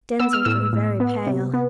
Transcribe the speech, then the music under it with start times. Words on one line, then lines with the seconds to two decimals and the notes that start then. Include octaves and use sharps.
Denzil grew very pale.
0.19 B3 E6
0.33 F6
0.45 A2 E6
0.73 A2
1.00 B3
1.27 C3
1.54 B3